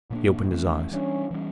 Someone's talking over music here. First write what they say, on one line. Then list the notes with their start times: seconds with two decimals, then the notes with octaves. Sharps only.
He opened his eyes.
0.10 A#2 G3 A#3 D4
0.51 E3 A3 C#4
0.91 E3 G3 C#4 D4
1.31 E3 G3 C#4